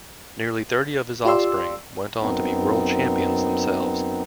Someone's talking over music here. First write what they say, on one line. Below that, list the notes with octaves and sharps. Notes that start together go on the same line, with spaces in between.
Nearly thirty of his offspring went on to be World Champions themselves.
F4 G4 D5 C6 E6
F#2 B3 C4 D#4